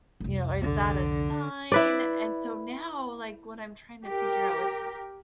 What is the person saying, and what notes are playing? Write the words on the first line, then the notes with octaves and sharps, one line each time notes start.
you know is that a sign?" And so, now, like, what I'm trying to figure out with
C2 F2
D3
E4 B4 D5
G4 A#4